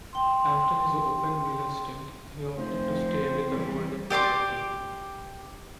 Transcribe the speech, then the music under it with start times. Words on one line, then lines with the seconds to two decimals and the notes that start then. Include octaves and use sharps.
After his open-wheeler stint he opted to stay with the Holden Dealer Team.
0.13 G5 C6
2.57 F1 F3 C4 C5
3.49 E2 E3 G3
4.10 G4 D5 C6 D6